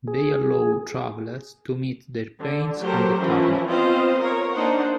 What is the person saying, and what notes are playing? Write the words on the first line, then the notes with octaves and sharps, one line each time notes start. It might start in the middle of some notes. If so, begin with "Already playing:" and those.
They allow travelers to meet their planes on the tarmac.
G#4
D3
F#3 A3 G4 A4 A#4 C5
E3 F3 C#4 E4
B3 C4 F4 C5 D#5 F5
A#4 C#5
A#3 D4 D#4 C5 F#5